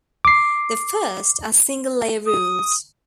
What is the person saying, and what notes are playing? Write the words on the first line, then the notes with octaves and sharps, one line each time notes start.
The first are single layer rules.
D6 C7
D#6